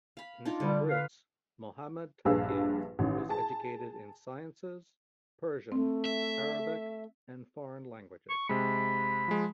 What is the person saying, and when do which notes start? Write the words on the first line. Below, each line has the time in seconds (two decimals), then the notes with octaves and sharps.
In Tabriz Mohammad Taqi was educated in sciences, Persian, Arabic and foreign languages.
0.17 F5 B5
0.45 D4 D#4 F4
0.60 D3 G3
0.89 B4 F5
2.25 A#1 G2 G#4 B4 F5 E6
2.99 A1 D#3 C#4
3.29 G#4 A5
5.72 A3 C4
6.05 E5
8.30 C#6
8.49 C3 G#3 B5
9.28 F3 G#3